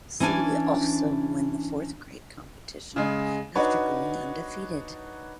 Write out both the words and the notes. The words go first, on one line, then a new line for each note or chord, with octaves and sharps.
City also win the fourth grade competition after going undefeated.
E3 C#4 D4 G#5
C#3 G#3
D4 D#4 F#4 B4 C#5